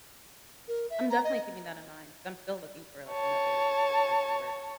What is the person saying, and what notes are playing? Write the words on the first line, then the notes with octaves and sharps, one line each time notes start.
I'm definitely keeping that in mind, 'cause I'm still looking for, like, another place to work.
A#4
E5
A#5
D#5
C#5 A5